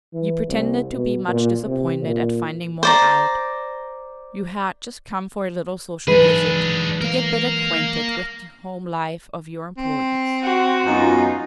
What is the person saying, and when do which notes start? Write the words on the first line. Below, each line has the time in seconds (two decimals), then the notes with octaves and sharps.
You pretended to be much disappointed at finding Moyne out--you had just come for a little social visit, to get better acquainted with the home life of your employees!
0.13 E3
0.48 C2
0.92 B2
1.28 A#2
1.65 C3
2.02 A#2
2.83 C5 D5 A#5
6.08 E3 F#3 G#3 D4 D#4 G#4 B4
7.01 A#4 F5
9.78 C4
10.43 F#4
10.86 F#2 B3 D#4 F4